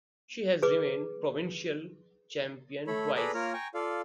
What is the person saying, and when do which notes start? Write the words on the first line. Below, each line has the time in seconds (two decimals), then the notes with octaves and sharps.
She has remained provincial champion twice.
0.63 G#4 B4 D6
2.87 A3 A4 C#5 B5
3.15 G#4 A4 B4 D5 A#5 B5
3.34 A#3 F4 A#4 C#5 A#5 F6
3.53 G5 G#5 A#5 C#6
3.74 F4 A4 D5 F5